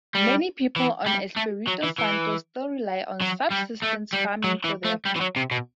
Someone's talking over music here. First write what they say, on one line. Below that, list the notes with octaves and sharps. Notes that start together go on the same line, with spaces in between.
Many people on Espiritu Santo still rely on subsistence farming for their food.
G3
E3
G3
A3
F#3
E3
E3
F#3
G3
A3
G3
F#3
E3
A3
G3
E3
F#3
C3
B2